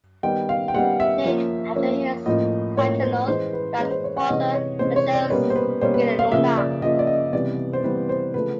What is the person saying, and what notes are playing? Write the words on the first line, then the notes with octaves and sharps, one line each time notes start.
Named after his paternal grandfather Michele Scicluna.
D#3 G3 B3 G5
F5
G5
D#3 G3 B3 F#5
E5
F3 A#3 C#4
F3 A#3 C#4
A2 F3 A#3 D#5
A2 F3 A#3 C#5
C5
E3 G#3 C#4 C5
B4
E3 G#3 C#4 B4
C5
C#5
F#5
C3 E3 G#3 C#4 D#5
C#5
C3 E3 G#3 C#4 C5
C#5
D5
B2 G3 A#3 C#4 B4
C5
B4
B2 G3 A#3 C#4 C5
B4
F5
C#3 F3 A#3 E5
D5
C#3 F3 A#3 D#5
D5
D#5
C3 E3 G3 B3 D5
C5
C3 E3 G3 B3 B4
C5
C#3 F3 A3 B4